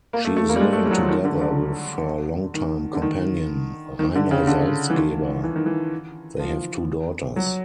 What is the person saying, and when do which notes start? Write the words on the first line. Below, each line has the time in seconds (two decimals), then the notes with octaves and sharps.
She is living together with her longtime companion Rainer Salzgeber; they have two daughters.
0.13 A#3
0.25 A3
0.36 A3
0.49 A#3
0.56 G3
0.60 G#3
0.73 A3
0.86 G3
0.91 F#3
0.97 F3
1.09 D#3
1.25 D3
1.41 D3
2.54 D#3
2.94 D3
3.02 D#3
3.99 D#3
4.15 D3
4.31 C#3
4.47 D3
4.90 E3
4.96 D#3
5.44 E3
5.56 D#3
5.66 E3
6.39 F3
7.36 F#3